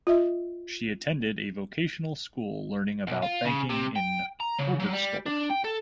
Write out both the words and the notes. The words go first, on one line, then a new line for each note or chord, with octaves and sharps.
She attended a vocational school learning about banking in Oberstdorf.
F4 D#5 E5
B1
F4
C#3
C3
G5
A#5
C#3
F#3
G3
D4
G5
A4